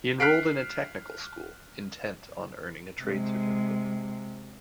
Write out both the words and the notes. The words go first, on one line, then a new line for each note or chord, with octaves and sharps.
He enrolled in a technical school, intent on earning a trade certificate.
F6 F#6 B6 C7 D7
C3 G#3